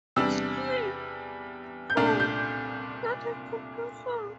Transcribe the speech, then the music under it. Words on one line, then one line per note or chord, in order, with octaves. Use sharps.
Sleep. Oh, that I could do so.
E2 C3 G3 D4 E6
G6
C2 A#2 A3 D4 F6
G6